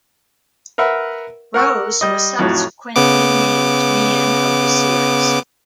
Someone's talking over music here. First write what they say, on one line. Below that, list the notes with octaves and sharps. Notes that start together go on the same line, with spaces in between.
Rose was subsequently named Man-of-the-Series.
A#4 B4 E5 F#5
A#4 F#5 C#6 E6
G3 D#5
F2 A2 F#3
C#3 B3 D6